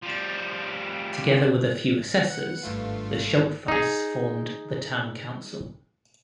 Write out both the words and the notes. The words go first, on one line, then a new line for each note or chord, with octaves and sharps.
Together with a few assessors the "Schultheiss" formed the Town Council.
F3 G3
B4 F#5
G#1 G2 A3 F4
D#4 G#4